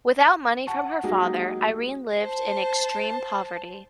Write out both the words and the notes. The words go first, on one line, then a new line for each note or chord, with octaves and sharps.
Without money from her father, Irene lived in extreme poverty.
F#5 A5 C#6
F#3 G#3 A#3 D#4 G4 G#4
C5 A5